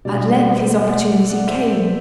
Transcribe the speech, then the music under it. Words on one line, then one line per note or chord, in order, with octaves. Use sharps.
At length his opportunity came.
B2 G3 D4 D5
D5
C5 E5
E5
D5 F#5
D5 F#5
C5 E5